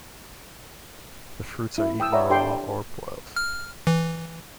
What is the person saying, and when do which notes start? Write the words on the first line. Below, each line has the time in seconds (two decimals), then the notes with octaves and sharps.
The fruits are eaten raw or boiled.
1.78 E4
2.00 G5 D#6 E6
2.12 C#5 D5 E5 F#5 A#5 B5
2.30 D4 G4 A4 D5 G5 C6
3.36 F6
3.87 E3